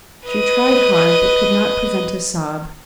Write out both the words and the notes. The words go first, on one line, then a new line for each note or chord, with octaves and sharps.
She tried hard, but could not prevent a sob.
B4 D#5